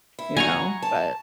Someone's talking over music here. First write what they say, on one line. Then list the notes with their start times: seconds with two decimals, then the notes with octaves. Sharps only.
You know, but
0.19 E4
0.37 F#3 G#5 A#5 C#6
0.82 A5